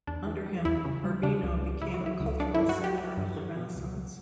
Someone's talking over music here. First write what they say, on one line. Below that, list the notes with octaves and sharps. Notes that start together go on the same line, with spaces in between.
Under him Urbino became a cultural center of the Renaissance.
E2 D4
E3
G3
E2 E4
C#3
G3
C#3 D4
C#2
C#2
C#2 E4
F#4
F#3
E4
C#2
F#3 D4
G2 E4
F#4
F#3
G4
F#3
G2
F#3
B2
C#2
C#2